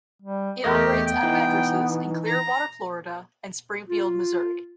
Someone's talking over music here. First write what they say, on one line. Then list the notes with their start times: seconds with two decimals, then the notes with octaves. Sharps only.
It operates out of addresses in Clearwater, Florida, and Springfield, Missouri.
0.22 G3
0.64 E2 A3 G4 A#4 D#5
1.06 B3 G5
1.23 E3 D#4
2.27 A#5
3.90 F4